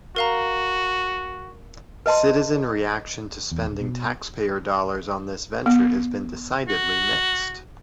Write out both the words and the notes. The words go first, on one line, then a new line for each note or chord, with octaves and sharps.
Citizen reaction to spending taxpayer dollars on this venture has been decidedly mixed.
F#4 A#4 F5 A#5
B4 D#5 A5 C6
E2
D#1
B2
B3
F#4